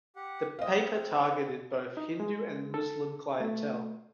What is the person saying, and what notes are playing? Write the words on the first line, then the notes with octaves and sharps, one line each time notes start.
The paper targeted both Hindu and Muslim clientele.
G4 F#5
C4 D#5 F5
D#4
G#3
A4
A3